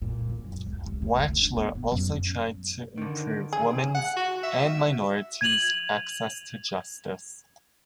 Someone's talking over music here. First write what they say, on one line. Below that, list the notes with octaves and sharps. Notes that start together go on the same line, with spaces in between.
Wachtler also tried to improve women's and minorities' access to justice.
A#2
E2
F#2
C#2
C3
A3
D2
D4
B3
B2
F#2
D3 D#3
G#4
F#5
F#4
E5
G#6 D#7 F7 F#7